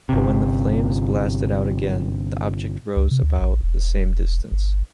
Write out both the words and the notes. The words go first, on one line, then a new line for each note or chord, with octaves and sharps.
But when the flames blasted out again, the object rose about the same distance.
G1 C3
C#2
C3
D2
A1
E1
G1